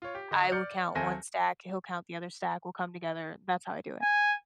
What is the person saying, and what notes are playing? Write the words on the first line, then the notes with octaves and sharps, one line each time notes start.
I will count one stack; he'll count the other stack. We'll come together; that's how I do it.
F4 C#5
G4
D3 D#5
D5 F6 G6 C#7
D#2 C4 A4 E5 G#5 A#6
G#5